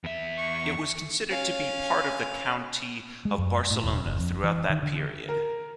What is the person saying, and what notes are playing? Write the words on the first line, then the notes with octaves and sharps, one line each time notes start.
It was considered to be part of the County of Barcelona throughout that period.
E2 E5
C#6
C#4 F5
G#3
F#2
A2
E1
F#1
F2
E3
D#3
D3
A#4